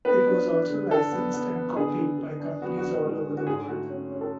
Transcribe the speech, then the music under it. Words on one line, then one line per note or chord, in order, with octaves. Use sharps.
It was also licensed and copied by companies all over the world.
B3 B4
D4
D4
D3
D4 A4
B3
B3
B3
D3 G#4
D3
D3
D4
B3 F#4
F#4
D4
G#3
D3
F#4
G#2 G#4
A3 F#4
C#4
C#4
A4